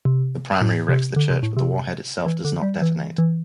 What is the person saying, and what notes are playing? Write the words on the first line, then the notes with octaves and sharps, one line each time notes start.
The primary wrecks the church, but the warhead itself does not detonate.
C3
A2
C3
D3
C3
A2
C3
E3
D3
G3
E3
E3